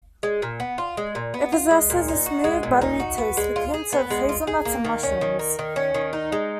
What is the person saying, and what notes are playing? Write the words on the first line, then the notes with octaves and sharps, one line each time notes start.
It possesses a smooth buttery taste, with hints of hazelnuts and mushrooms.
G#3
A#2
B3
F4
G#3
A#2
B3
F4
G#3
A#2
D#4
F#4
G#3
A#2
D#4
F#4
B3
G#3
F4
G#4
B3
G#3
F4
G#4
A#3
D#3
C#4
D#3
A#3
D#3
C#4
D#3
D#4
G#3